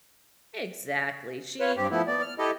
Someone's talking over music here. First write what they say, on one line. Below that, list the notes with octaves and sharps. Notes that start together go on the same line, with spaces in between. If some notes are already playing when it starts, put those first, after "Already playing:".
Exactly. She,
F4 B4 C#5
G2 C4 G4
F3 A3 B3 E4
B3 D5
F6
E4 G4 A4 D#5